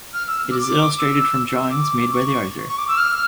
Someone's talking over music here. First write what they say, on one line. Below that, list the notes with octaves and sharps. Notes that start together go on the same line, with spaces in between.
It is illustrated from drawings made by the author.
F6
E6
D6
D6
E6
E6
D6
C#6
C#6
D6
E6
F6